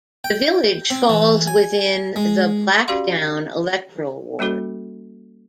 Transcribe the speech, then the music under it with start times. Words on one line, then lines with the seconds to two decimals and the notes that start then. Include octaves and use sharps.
The village falls within the 'Blackdown' electoral ward.
0.24 G5
0.90 C4
1.09 E3
1.47 G#5
2.16 G#3
2.88 C#4 F#4 G4 D5 F5 C6
4.39 G3 A#3 C#4 F#4 A4